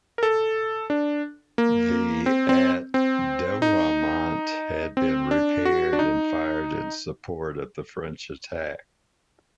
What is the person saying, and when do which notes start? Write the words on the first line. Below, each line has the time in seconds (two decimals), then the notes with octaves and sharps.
The at Douaumont had been repaired and fired in support of the French attack.
0.18 A#4
0.23 A4
0.90 D4
1.58 A#3
2.26 C4
2.49 C4
2.94 C4
3.62 D#4
4.97 C4
5.31 D4
5.65 F#4
5.93 D4
5.99 D#4